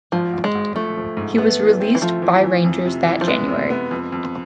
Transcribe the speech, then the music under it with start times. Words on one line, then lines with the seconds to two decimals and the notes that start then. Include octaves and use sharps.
He was released by Rangers that January.
0.12 G#1 F3
0.33 G#1
0.44 G#3
0.55 G#1
0.75 F3 A3
0.97 F3
1.17 G#2
1.38 A3 B3
1.60 E3
1.80 C4
1.95 E3
2.01 F3 A3
2.22 E3
2.43 E3
2.65 F2
2.85 C3
3.06 E3
3.21 F3
3.28 G#3 B3
3.48 C3
3.70 B3
3.91 F2
4.12 F2